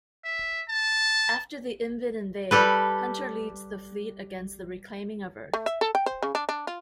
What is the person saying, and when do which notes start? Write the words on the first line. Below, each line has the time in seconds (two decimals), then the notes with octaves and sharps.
After the Invid invade, Hunter leads the fleet against the reclaiming of Earth.
0.24 E5
0.69 A5
2.51 G3 G4 A4 B4
5.53 A3
5.66 E5
5.81 A4
5.95 G5
6.06 C5
6.23 C#3
6.35 D4
6.49 D4
6.67 F4